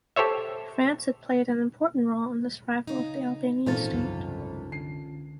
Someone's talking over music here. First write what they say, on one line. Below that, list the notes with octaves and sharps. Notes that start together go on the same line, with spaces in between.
France had played an important role in the survival of the Albanian State.
G4 A4 C5 C#5 E5
C#3 D#4
G#1 A#2 E3 C#4 F4 A4 C5 A6
C2 F#2 C#3
D3 C7